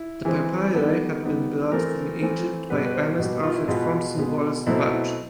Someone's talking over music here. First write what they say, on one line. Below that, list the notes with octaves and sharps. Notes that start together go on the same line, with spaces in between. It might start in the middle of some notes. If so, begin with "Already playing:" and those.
The papyri had been brought from Egypt by Ernest Alfred Thompson Wallis Budge.
Already playing: E4
E3 G#3 C4
D#3 G3 B3 A4
D#3 G3 B3
E3 A3 C4 A#4
E3 A3 C4
B2 G3 B3 B4
B4
C5
B2 G3 B3 F#4
F4
E4
B2 G#3 B3 F4
B2 G#3 B3
B2 F#3 A3 C4 E4
E4